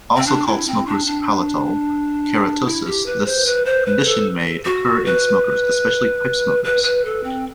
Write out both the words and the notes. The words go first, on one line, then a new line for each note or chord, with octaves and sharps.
Also called smoker's palatal keratosis, this condition may occur in smokers, especially pipe smokers.
C4
D4
E4
C4
D4
D4
E4
G4
B4
C5
B4
C5
B4
A4
F#4
B4
B4
B4
A4
C4